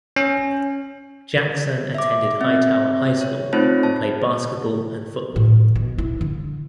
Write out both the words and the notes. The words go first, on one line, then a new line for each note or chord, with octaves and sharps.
Jackson attended Hightower High School and played basketball and football.
C#4
E5 D6
C4 E5
C#5
A3 C4 D#4 F4 C5 C#5
A5
A2
B2
E4
D3